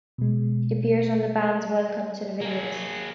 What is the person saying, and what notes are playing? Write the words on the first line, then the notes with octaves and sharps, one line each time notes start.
It appears on the band's "Welcome to the Videos".
B2 G#3
A#3 G#4